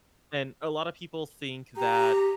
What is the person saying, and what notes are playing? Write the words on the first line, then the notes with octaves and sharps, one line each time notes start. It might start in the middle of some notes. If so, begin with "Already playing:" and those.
And a lot of people think that,
G4 A#5